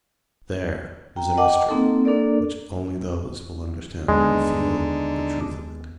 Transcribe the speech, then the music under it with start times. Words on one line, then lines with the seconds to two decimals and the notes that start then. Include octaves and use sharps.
There is a mystery which only those will understand who feel the truth of it.
1.16 G5 A#5
1.37 A#4 D#5 F#5 G5 A5 D6
1.69 A#3 C4 D#4 A4
2.05 A#3 D4 A4 A#4 D5
4.08 D#2 D3 G#3 B3 D4 D#4